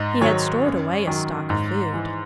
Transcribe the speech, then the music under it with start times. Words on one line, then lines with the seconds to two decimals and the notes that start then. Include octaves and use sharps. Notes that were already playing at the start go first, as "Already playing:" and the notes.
He had stored away a stock of food.
Already playing: G#2 D#5
0.21 D#3 F#3 C#5
0.65 F#2
1.07 D#3 F#3
1.50 G#2
1.93 E3